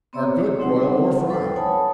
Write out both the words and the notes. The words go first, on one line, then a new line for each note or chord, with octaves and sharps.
Are good, broiled or fried.
B3 C4 C#5 D5 A#5 E6
C#5
G3 C4 D#4 C5 F#5
A4 B4 C5 F#5 G5
C#5 F#5 G#5 A5 B5 D#6